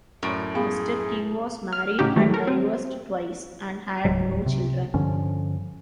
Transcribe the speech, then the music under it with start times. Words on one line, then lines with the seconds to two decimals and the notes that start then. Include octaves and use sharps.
Mr. King was married and divorced twice, and had no children.
0.23 F#2 A2 D7
0.55 B3 G#4 F5 B5
1.73 F6
1.99 A2 C#3 D#4 F#4 G4
2.16 G#2 D#3 E3 F#3 G3 A3
2.34 A4 A#4
2.47 C4
4.05 D1 C#2 G#2 F#3
4.46 C3
4.94 G2 D3 F3 C#4